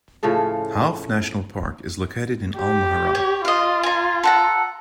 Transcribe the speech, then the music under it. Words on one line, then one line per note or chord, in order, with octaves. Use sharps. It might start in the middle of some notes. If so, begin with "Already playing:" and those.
Hauf National Park is located in Al Mahrah.
A2 C#3 F3 A4
G4
C#5
F4 D#5 F5
G#5 A#5
A4 F#5 A#5